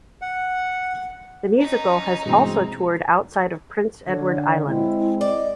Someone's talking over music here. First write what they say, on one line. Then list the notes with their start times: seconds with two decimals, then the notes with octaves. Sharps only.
The musical has also toured outside of Prince Edward Island.
0.22 F#5
1.58 C#4 D#4 A#5
2.26 G2 B2 E3 G#3 C4
4.08 D3 C#5
4.66 G#3 C4 E4
5.21 D5 D#5